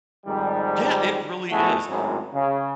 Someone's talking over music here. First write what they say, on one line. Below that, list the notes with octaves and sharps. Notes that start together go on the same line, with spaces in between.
Yeah, it really is,
F2 G#2 D#3 G3
F2 B2 A3 E4 F#4 G#4
G#1 F#2 A2
C#3